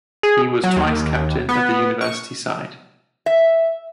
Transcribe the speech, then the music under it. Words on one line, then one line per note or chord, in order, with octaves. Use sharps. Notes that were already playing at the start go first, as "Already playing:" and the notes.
He was twice captain of the University side.
G#4
F#3
D#2
B3
C#6
E5